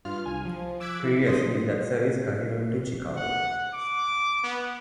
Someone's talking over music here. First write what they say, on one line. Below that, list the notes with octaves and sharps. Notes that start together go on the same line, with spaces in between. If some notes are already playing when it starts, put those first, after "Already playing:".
Previously, that service continued to Chicago.
G2 F4 F6
C2 G#5
F3
D6 E6 F#6 G#6 B6 D7
E4
F3 D4 C6 D#6 A#6
F#5
D6
B3